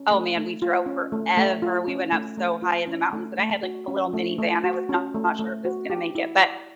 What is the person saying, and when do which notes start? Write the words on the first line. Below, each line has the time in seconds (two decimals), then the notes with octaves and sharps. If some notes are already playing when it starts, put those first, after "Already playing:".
Oh, man, we drove forever, we went up so high in the mountains, and I had, like, a little minivan. I was not sure if it was gonna make it, but,
Already playing: C#4
0.11 A3
0.37 A3
0.62 F4
0.86 C#4
1.12 A3
1.37 A3
1.62 F4
1.88 C#4
2.12 A3
2.38 A3
2.62 F4
2.88 C#4
3.13 A3
3.39 A3
3.63 F#4
3.88 C#4
4.13 A3
4.39 A3
4.64 F#4
4.89 C#4
5.15 A3
5.39 A3
5.65 F#4
5.90 G4
6.15 E4
6.40 D5